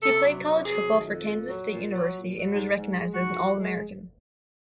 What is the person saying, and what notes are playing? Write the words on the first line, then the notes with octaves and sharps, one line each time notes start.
He played college football for Kansas State University and was recognized as an All-American.
C3 A4
F#3
C3
F#3 G#4
D#3
F2
A#2
F#3
A#2
F#3
A#2
F#3
G#2
G#2
G#3
G#2 F#4
F3
G#3